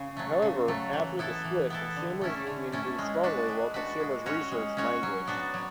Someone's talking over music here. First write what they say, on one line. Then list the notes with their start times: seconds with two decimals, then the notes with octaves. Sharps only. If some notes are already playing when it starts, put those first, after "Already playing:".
However, after the split Consumers Union grew strongly while Consumers' Research languished.
Already playing: C#3
0.17 F#3 A3
0.42 C#3
0.68 F#3 A3
0.93 E3
1.19 B3 E4 A4
1.44 E3
1.70 B3 E4 A4
1.96 D3
2.21 A3 C#4 E4
2.47 D3
2.72 A3 C#4 E4
2.98 G#3
3.23 D4 F#4 B4
3.48 G#3
3.74 D4 F#4 B4
4.00 G#3
4.26 C#4 F#4 C#5
4.52 G#3
4.77 C#4 F#4 C#5
5.03 F#3
5.27 B3 D4 F#4
5.54 F#3